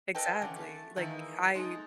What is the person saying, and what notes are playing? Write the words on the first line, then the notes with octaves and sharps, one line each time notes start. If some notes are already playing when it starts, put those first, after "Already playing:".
Exactly, like, I
A4 B4 D#5 G5 A5
D3 E3 C#4
A3
D#3 E3 G#3 A#3 D#4 E4
G#3 D#4 A4